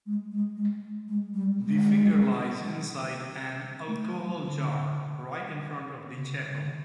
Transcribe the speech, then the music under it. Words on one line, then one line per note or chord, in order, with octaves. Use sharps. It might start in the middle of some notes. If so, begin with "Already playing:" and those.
The finger lies inside an alcohol jar right in front of the chapel.
G#3
G#3
G#3
G#3
G3
G#3
A3
F#3
F#3
D3
C#3
C#3
D3